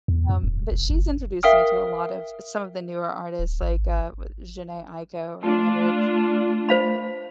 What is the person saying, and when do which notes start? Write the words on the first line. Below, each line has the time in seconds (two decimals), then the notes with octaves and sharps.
um but she's introduced me to a lot of some of the newer artists like, uh, Jheńe Aiko, or whatever.
0.08 E2
0.30 F2
0.43 D#1
0.72 E1
0.90 F#1
1.43 A#4 E5 F5 G5 D#6 F6
3.39 D1
3.62 G#1
5.43 A3 D4 F4
6.69 C5 F5 B5